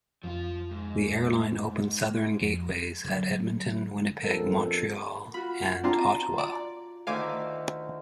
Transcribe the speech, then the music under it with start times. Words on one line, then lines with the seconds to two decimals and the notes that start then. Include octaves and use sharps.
The airline opened southern gateways at Edmonton, Winnipeg, Montreal and Ottawa.
0.23 F1 F3 F4
0.71 G#2
2.40 F2
3.04 D3 F#3
4.22 A#1 F2 B3 A4 A#4
5.34 F4 F#4 B5
5.83 C4 D4 F4 A5 A#5 C6
6.38 D5
7.07 D2 D#3 E5 F5 G#5 D6